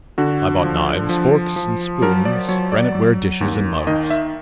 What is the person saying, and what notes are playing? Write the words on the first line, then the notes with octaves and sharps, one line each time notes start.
I bought knives, forks, and spoons, granite-ware dishes and mugs.
D3 F#4
F3
F3
F3
F#3 A#4
D5
F#3 C#5
D5
F#3
D#2
D#3 D#5
E5